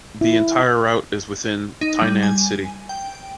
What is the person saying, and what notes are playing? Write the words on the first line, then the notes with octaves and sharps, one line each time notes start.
The entire route is within Tainan City.
E4
D#4
G3
G#5
G5